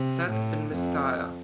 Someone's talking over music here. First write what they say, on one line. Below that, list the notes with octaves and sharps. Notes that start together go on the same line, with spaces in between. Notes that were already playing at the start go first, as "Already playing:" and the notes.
Set in Mystara.
Already playing: C3
A2
F2